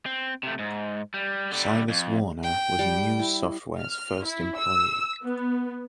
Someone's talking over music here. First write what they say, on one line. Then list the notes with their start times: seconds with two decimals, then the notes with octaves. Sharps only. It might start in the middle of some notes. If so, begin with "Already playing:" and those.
Silas Warner was Muse Software's first employee.
0.06 C4
0.43 C3 A3
0.59 G#2
1.14 G3
1.52 D3 G3
1.89 F2
2.43 G5
2.79 G3
3.19 E4
3.81 F6
4.25 E4
4.59 E6
5.23 B3